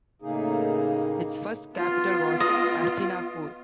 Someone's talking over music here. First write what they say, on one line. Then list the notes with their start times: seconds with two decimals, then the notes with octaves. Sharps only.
Its first capital was Hastinapur.
0.22 A2 C#3 A#3 D#4 G#4
1.74 B3 F4
2.40 D#5